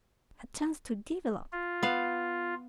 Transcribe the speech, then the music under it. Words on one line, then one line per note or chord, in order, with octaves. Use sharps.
"A chance to develop."
F4
B3 F5